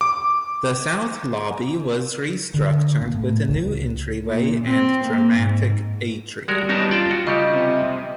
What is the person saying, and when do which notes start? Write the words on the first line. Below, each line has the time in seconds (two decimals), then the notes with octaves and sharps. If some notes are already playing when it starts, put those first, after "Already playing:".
The south lobby was restructured with a new entryway and dramatic atrium.
0.01 D6
2.54 D3
3.02 A#2
3.15 A2
3.49 C#2
4.25 A#2
4.65 C4
5.05 A#3
5.36 G#2
6.48 G3 G#3 F#4 A#4
6.69 B3 C#4 D#4 A#4 D#5 A5
6.91 F4 D5 G5 A5
7.11 F#4
7.27 C#3 G3 G4 D#5
7.53 C3